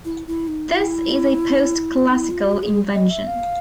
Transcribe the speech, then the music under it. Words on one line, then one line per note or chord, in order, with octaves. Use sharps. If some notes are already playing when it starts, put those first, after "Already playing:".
This is a post-classical invention.
E4
E4
D#4
E4
F4
D#4
E4
F4
F#4
G#4
D#5
E5
F5